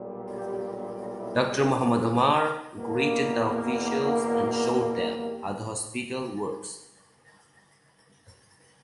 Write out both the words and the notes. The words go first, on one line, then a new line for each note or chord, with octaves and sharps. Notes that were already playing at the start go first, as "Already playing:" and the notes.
Doctor Mohamed Omar greeted the officials and showed them how the hospital works.
Already playing: B1 A#2 G3
G4
E4
C#4
E2 B2 A#3
F#4
G4